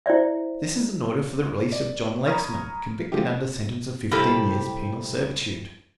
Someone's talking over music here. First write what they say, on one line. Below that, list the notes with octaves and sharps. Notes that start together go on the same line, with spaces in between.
"This is an order for the release of John Lexman, convicted under sentence of fifteen years penal servitude."
E4 C5 D5 E5
D5
A#5 B5 C#6 D#6 F6 G#6
D3 F3 G#3 A3 G4
C3 G3 E4 G4 A4